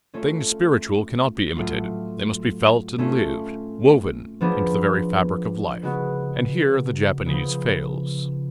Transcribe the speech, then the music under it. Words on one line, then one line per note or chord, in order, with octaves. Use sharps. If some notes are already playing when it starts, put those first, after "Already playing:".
Things spiritual cannot be imitated; they must be felt and lived, woven into the very fabric of life, and here the Japanese fails.
A3 C#4 F4 A4 C#5
A2 F#3 A3 F4
A3 C#4 F4
F3 B3 D4 G#4
C#3 G#3 B3 F#4
C#3 F3 B3